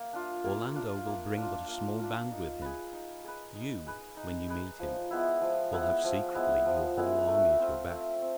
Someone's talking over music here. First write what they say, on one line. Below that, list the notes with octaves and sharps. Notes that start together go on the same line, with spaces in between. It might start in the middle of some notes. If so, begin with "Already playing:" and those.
Orlando will bring but a small band with him: you, when you meet him, will have secretly your whole army at your back.
Already playing: A#3
D4 F4
A#3
D4 F4
A#3
D4 F4
A#3
D4 F4
D#4
G#4 B4
D#4
G#4 B4
D#4
G#4 B4
D#4
G#4 B4
F3
G#3 B3 E4
F3
G#3 B3 E4
F3
G#3 B3 E4
F3
G#3 B3 E4
A3
C4 F4
A3
C4